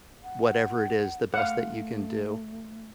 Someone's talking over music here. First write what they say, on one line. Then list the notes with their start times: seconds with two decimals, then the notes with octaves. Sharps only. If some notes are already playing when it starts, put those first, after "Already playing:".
whatever it is, the best that you can do.
0.24 F#5
1.34 A3 F5 F#5